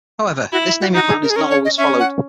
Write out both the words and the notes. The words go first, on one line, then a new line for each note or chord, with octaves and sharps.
However, this naming pattern is not always followed.
E4 F#4
E4
F#4
D#4 F#4
G#4
A#4
G#4
C#4 A#4
C#5
D#5
C#4 E5
F#5